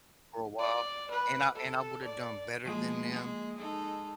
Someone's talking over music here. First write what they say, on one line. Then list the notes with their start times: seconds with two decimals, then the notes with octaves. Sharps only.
for a while, and I and I would've done better than them
0.59 D5
1.10 B4
1.55 A4
2.03 D5
2.63 F3 G#3 A#3
3.11 G#3 A#3
3.57 G#3 D#4 A4